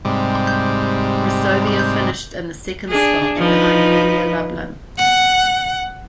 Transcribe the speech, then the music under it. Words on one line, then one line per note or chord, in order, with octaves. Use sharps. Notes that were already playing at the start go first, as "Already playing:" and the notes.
Resovia finished in the second spot, behind Unia Lublin.
G#2 C3 G3
D4 G#4
F3 D#4 B4
F#5